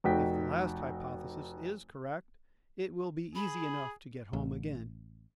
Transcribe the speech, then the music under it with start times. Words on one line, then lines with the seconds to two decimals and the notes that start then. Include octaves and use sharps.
If the last hypothesis is correct, it will be easy enough to get home again.
0.04 F1 D#4 F#4 G5 B6
3.35 G#4 B5
4.33 A1